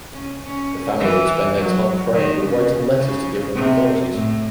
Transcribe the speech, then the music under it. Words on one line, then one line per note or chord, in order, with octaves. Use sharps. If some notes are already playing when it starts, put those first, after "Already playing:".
The family would spend their time praying or writing letters to different authorities.
C#4
C#4
E3
F#3
D#3
C#3
C#3
C3
A2